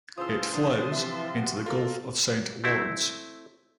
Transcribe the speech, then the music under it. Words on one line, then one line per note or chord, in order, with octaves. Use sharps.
It flows into the Gulf of Saint Lawrence.
C#3 E3 F4 C5 A5 C6 D#6 E6
F3 D4 D#6
C3 E3 F3 B4 E5
F#4
F4 A4 A#4
A3 C4 E4